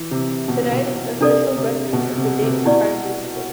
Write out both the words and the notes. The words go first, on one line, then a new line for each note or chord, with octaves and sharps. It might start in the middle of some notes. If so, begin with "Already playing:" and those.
Today it is the official residence of the Danish Prime Minister.
Already playing: E3
C3
B2
B2
B2
C3 D4 A4 D5
C3
B2
C3
C3
B2 E4 G4 D5